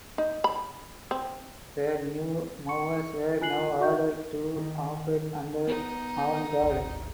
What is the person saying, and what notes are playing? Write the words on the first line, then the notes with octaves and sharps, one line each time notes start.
The new mowers were now ordered to operate under armed guard.
D#4
B5
C4
C#6 C#7
F4 G#5 F#6 C7 F#7
F#4 E5 C#6 G6
D#3
B3 D#4
D1 G#1